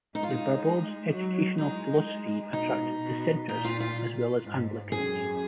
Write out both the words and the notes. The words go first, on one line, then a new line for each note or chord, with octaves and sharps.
The Barbaulds' educational philosophy attracted Dissenters as well as Anglicans.
G#3 D#4
F4
D#4
F#3
G#3 D#4
B2 D#4
B2
A#2 D#4
F4
F4
G#2
F#2 G#4